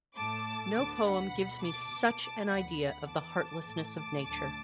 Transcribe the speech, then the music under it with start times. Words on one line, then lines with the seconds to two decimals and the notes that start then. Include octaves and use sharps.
No poem gives me such an idea of the heartlessness of Nature.
0.17 A2 A3 A5 D6
0.75 D2 D3 B3 A5 D6
1.04 F#5 B5
1.34 B2 B3
1.62 A5 D6
1.91 B2 B3
2.20 A5 D6
2.49 D2 D3 B3 F#5 B5
2.79 F#5 B5
3.08 E2 E3 B3 A5 D6
3.65 A2 E3 A3
3.95 A5 D6
4.23 D2 D3 F#3 A3 A5 D6